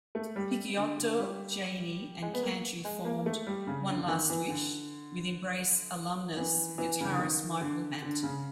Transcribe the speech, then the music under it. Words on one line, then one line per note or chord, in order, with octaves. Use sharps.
Picciotto, Janney, and Canty formed One Last Wish with Embrace alumnus, guitarist Michael Hampton.
A3
G3
D3
D3
G3
G#3
B3
A#3
G#3
A#3
A3
G3
C#3
D3
D3
D#3
E3
D3
E3
E3
C#3
D3
D#3
D3
D3
C#3